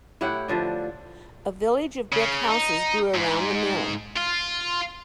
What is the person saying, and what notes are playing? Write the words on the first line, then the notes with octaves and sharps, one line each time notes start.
A village of brick houses grew around the mill.
A2 E4 G4 F#5
D3 F3 D4
C#3
D#4
G#2
F4